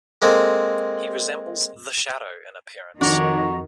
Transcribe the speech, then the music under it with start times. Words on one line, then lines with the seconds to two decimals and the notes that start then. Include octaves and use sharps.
He resembles The Shadow in appearance.
0.22 G#3 A#3 C4 A4
3.01 F2 D#3 D4 F#4 C#5 A#5